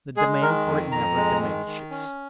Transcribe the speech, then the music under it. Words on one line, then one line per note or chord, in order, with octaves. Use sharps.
The demand for it never diminishes.
G#3 G#4
D#3 A#4
F2
F2 A#5
G#3
D#3
D#3
C#4